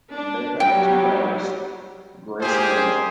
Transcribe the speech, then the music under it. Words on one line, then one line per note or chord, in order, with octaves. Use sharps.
They have two daughters, Grace and Eleanor.
D4
F#3 G3 G5
A#3 G4 G#4 C5